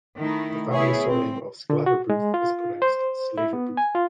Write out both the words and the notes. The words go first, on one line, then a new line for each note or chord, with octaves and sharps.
The family surname of Sclater-Booth is pronounced "Slater-Booth".
D#3 A3 D#4 E4
B3 E4 G#4 C#5
C4
D3
F#4
G#3
F4
C5
E4
B3
G#5
F4